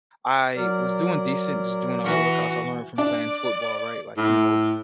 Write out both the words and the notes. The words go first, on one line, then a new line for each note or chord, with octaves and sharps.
I was doing decent, just doing all the workouts I learned from playing football, right? Like, you know,
F#3 A#4 D5
E3 F#4
D4 D5
A2